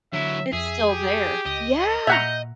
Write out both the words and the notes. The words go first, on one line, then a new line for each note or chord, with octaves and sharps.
It's still there, yeah.
D3 F#3 E4 E5
F2 G#4 E5
G4
C#2 D#5
A#2 E5 F#5 A#5 G6